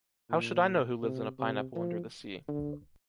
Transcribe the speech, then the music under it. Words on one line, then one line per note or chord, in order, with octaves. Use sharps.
How should I know who lives in a pineapple under in the sea?
A#2
C3
C3
F3
D3